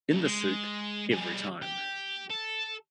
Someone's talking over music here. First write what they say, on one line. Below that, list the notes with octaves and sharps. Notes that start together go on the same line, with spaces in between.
In the soup, every time.
C#3 A3
G#3
G3 G#4
G4
A4